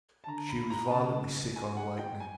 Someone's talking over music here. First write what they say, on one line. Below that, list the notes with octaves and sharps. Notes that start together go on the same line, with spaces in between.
She was violently sick on awakening.
A5
D3 A#5
B5
A#5
C#3 A5
G#5
F#5
G5
G#5